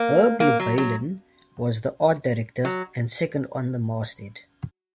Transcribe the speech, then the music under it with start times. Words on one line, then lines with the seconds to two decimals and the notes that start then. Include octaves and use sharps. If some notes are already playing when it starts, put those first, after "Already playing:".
Herb Lubalin was the art director and second on the masthead.
Already playing: A#3
0.40 A#3
0.60 F#3
0.78 F#3
2.65 F#3